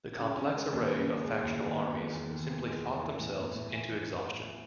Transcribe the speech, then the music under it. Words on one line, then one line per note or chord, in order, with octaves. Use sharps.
The complex array of factional armies simply fought themselves into exhaustion.
C#3
C#4
G#3
D#2
C#3
C#4
G#3
D#2
D#3
B3
G#3
E2
D#3
B3
G#3
E2
E3
A2
B3
A2
E3